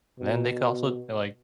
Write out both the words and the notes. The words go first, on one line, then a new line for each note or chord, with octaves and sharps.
then they could also d like
B2